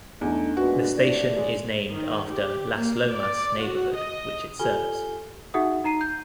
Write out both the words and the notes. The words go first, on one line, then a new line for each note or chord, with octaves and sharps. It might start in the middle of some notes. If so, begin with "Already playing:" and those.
The station is named after "Las Lomas" neighborhood which it serves.
E2 A3 D4 D#4
A#2 G#3 B3 F#4
A2 D5
G#3
D#3
G4
A#3
D5
F#4
D#5
F4 G4 A4 G#5 F6 G7
D#4 F#4 G#4 E5 F#5 D#6
D#4 A#5 C7 D#7
G6